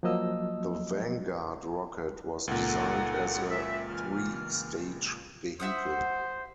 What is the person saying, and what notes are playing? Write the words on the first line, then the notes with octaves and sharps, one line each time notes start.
The Vanguard rocket was designed as a three-stage vehicle.
F3 F#3 A#3 D#5 E6
C#2 A#2 D#4 A4 F#5
E5
E3 F6
C5 E5 F#5 D#6